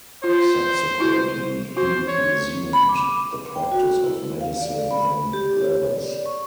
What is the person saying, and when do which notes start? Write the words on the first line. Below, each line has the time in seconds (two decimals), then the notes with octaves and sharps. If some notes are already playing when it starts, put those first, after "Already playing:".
Subsequently, he resumed the practice of medicine in Lewes.
0.24 F4 C5
1.00 E4 F#4
1.77 F#4 C5
2.08 C#5
2.73 B5
2.89 D6
3.55 G5
3.72 F#4
4.05 E4
4.41 F5
4.62 D5
4.91 B5
5.33 G4
5.61 C#5
5.92 D5
6.26 C#6